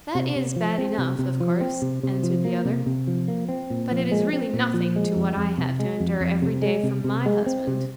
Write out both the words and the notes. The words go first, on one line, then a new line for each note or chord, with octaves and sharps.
'That is bad enough, of course,' answered the other; 'but it is really NOTHING to what I have to endure every day from MY husband.
C3
C3
F3
C4
C3
C3
F3
C4
C3
C3
F3
A#3
C3
C3
F3
A#3
C4
A#2
F3
G#3
C4
A#2
F3
G#3
F2
F2
C3
G#3
F2
F2
C3
G#3
C3
C3
G#3
C4
C3